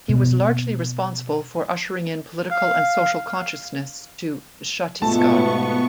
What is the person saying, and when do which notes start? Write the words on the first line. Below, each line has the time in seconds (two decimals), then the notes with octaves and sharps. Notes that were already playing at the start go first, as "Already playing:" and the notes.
He was largely responsible for ushering in political and social consciousness to Chhattisgarh.
0.09 B2
2.51 F5
5.02 G#2 B2 A3 B3 F4 A5 C#6